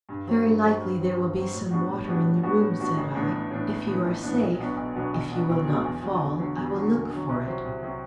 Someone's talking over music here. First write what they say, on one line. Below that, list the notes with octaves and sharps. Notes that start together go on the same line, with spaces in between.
"Very likely there will be some water in the room," said I. "If you are safe, if you will not fall, I will look for it."
G2
F#3 C4
G2
F#3 C4
G2
F#3 C4
G2
F#3 C4
A2
G3 B3 D4 F#4
A2
G3 B3 D4 F#4
A2
G3 B3 D4 F#4
A2
G3 B3 D4 F#4
A1
A2 E3 B3 D4
A1
A2 E3 B3 D4
A1
A2 E3 B3 D4
A1
A2 E3 B3 D4
B1
B2 F#3 B3 D4
B1
B2 F#3 B3 D4
B1
B2 F#3 B3 D4
B1
B2 F#3 B3 D4
E2
D3 F#3
E2
D3 F#3
E2
D3 F#3
E2
D3 F#3
C2
C3 F#3 C4
C2
C3 F#3 C4